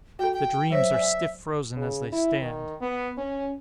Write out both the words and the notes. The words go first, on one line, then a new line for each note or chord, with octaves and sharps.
The dreams are stiff-frozen as they stand.
F#4 A4 G5
G5
F#3 C5 C#5 E5
D5 G#5
C#3
E4
D#3
B3
C#4